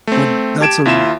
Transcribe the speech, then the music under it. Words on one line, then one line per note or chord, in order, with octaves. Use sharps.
Well, that's a r
A3 C4
G4 A5 G#6 D7 E7
D#2 E4 F4 E5 E7